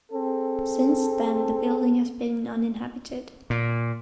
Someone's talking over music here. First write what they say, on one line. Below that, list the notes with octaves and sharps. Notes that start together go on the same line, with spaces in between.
Since then the building has been uninhabited.
C4 G#4 A4
A#2